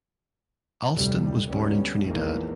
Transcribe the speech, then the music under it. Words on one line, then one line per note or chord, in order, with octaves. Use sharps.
Alston was born in Trinidad.
F1 D2 A2 C3 G3
D2 G3 B3 C#4
A#1 E2 D#3 F3 G#3 A#3